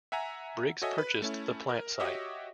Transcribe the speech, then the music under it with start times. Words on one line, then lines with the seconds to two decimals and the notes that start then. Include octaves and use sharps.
Briggs purchased the plant site.
0.12 E5 F#5 G#5 A#5
0.82 F#4 A4 C#5 D#5 E5 G#5
0.98 B4
1.22 A3 C#4 E4
1.69 A#4
2.00 F#4 G4 C#5 D#5 E5